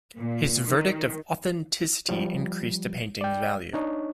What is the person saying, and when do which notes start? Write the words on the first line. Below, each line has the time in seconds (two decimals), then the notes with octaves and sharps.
His verdict of authenticity increased a painting's value.
0.19 A#2
0.67 D#3
2.09 F3 G3
3.21 D5 G5
3.73 D4 D#4 C#5